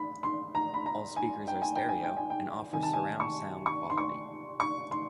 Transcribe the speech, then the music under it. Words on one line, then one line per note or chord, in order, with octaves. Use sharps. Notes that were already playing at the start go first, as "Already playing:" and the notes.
All speakers are stereo and offer surround sound quality.
Already playing: B5
C6
A#5
B5
A#5
G#5
G5
G#5
G5
G#5
G5
G#5
G5
C3 D#3 G3 G#5
A5
G#5
C#6
C#6
C6
C#6
C#6
C6